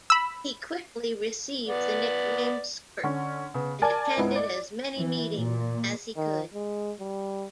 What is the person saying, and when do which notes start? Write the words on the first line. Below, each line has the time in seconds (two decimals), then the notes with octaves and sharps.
He quickly received the nickname "Squirt" and attended as many meetings as he could.
0.10 B5 E6
1.68 B3 D5
3.03 D3 C#4
3.54 C#3 B3
3.82 A#4 D5 G#5 A5 G#6
4.17 C#2 G#2 B3 E4
4.35 D5
4.95 E3
5.34 A#2
6.17 D#3
6.54 G#3
7.00 G3